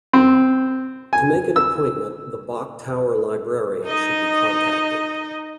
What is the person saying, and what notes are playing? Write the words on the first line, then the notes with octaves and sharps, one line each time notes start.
To make an appointment the Bok Tower Librarian should be contacted.
C4
G#5
E6
D#4 D#5